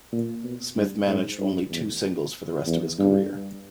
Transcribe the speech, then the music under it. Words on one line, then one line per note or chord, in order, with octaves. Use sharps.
Smith managed only two singles for the rest of his career.
A#2
B2
G2
G#2
G2
E2
E2
G2